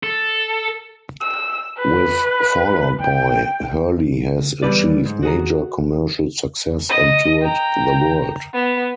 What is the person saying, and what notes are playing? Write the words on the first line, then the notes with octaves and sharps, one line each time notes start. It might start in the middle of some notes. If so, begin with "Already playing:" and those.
With Fall Out Boy, Hurley has achieved major commercial success and toured the world.
A4
E6
B4
G5
E2 G3 B4 D5
G#2
F#4 G#4 A#5
D#5
G5 A#5
B3